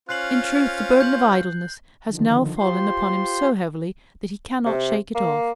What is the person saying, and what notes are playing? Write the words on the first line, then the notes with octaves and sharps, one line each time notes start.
In truth the burden of idleness has now fallen upon him so heavily that he cannot shake it off.
C#4 F4 C5 F#6 C7 F#7
G6 F#7
D3 D#3 F3
F4 G4 C5 C6
C3
A#3